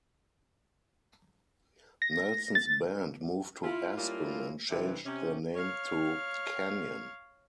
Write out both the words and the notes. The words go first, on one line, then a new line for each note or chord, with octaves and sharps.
Nelson's band moved to Aspen and changed their name to "Canyon".
A#6
A6
E4 F4
G3 A3 A#3 C#4 E4 F4
G2 C3 E3
C3 C#4
C#5 F5